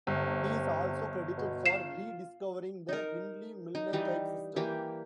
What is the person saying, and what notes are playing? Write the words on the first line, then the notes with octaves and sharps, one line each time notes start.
He is also credited for rediscovering the Hindley-Milner type system.
G1 C3
B2
F4 C7 E7
D#4 A#4
D#4
E3 G3 D#4
E3 A#3 G4